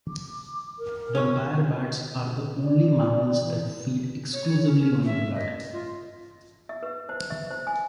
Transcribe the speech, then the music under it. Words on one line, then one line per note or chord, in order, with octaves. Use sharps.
Vampire bats are the only mammals that feed exclusively on blood.
D6
A#4
C#4 C#5
D5
E3
C#5
C#4
C#4
E5
D#5
F4
E5
B4
C5
E5
C5
G#5